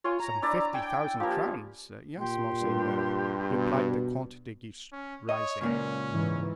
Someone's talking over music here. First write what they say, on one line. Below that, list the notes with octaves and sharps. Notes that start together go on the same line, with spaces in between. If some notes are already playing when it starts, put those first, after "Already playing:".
"Some fifty thousand crowns; yes, monseigneur," replied the Comte de Guiche, rising.
F4 C#5 G#5
A#5
D4 E4 D5
G5 G#5
F3 A#3 G4
A#2 G4 C6
G2
B2
C#4
C#5 D#5
C#2 A#2 A#3 C#4
G#2 E3